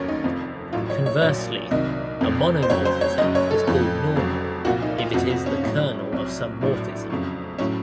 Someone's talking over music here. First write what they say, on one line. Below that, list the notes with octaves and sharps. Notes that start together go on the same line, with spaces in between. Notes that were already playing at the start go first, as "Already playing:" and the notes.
Conversely, a monomorphism is called "normal" if it is the kernel of some morphism.
Already playing: F1 D#2 D#3 F#3 C#4
D#4
F1 F2 C3 F3
A1 A2 F#3 F4
C#5
C#5
A#1 A#2 F#3 C#5
C2 C3 D#3 F#3 D#5
F1 F2 C3
C5
F2 C#3 F#3 C#5
C5
C#5
F#1 F#2 C#3 F#3 D#5
C#5
A4
F2 C#3 F3
F1 F2 C#3 F#3
C2 A#2 F3 F#4
D#4
F4
F2 C3 F3 F#4
F#4
C#4
A1 A2 F#3 C#4
C2 C3 F#3
A#1 A2 F#3
F2 C#3 F#3
A2 F#3 C#4